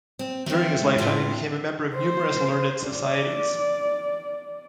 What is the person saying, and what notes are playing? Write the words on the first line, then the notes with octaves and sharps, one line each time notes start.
During his lifetime he became a member of numerous learned societies.
C4
D#3 F#3 A3 C4
G#3 E4 F5
A2 E3 F4
C4 D4
C5
D5